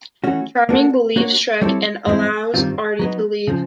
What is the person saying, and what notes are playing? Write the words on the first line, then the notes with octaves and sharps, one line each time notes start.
Charming believes Shrek and allows Artie to leave.
E3 A3 C#4 F#4
A#3 D4 F#4 A4
A#3 D4 F#4 A#4 C#5
G3 C4 E4 A4 C#5
G2 E3 G#3 C4 E4
G2 D#3 G3 C4 F4
F#3 B3 D#4
C#3 F3